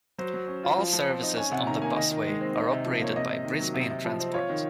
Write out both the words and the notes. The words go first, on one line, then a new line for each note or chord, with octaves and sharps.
All services on the busway are operated by Brisbane Transport.
F#3 C5
F#3
C#4
F4
F3
F3
C4
D#4
C#4 G#5
C3 F#5
D#3 A#5
A#3 G#5
D#3 D#5
D#3
G#3
C4
D#4
C3
F3
A#3 C#5
C3 D#5
C3
D#3
F#3
C3
C3
F3
C4
F4 C#5
D#3